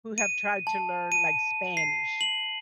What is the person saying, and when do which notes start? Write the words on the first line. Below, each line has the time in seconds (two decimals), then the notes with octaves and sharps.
who have tried to learn, like, Spanish.
0.18 D#7
0.67 A5
1.12 D#7
1.77 C7
2.21 F#7